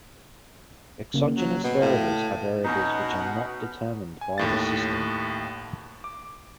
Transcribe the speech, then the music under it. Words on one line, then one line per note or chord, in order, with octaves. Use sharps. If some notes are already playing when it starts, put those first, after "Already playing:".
Exogenous variables are variables which are not determined by the system.
C#3 A#3
F#3
B2
A2 F5
B2 B3 C#4 D#4 F#5
G#5
D#2 A2 A6
D6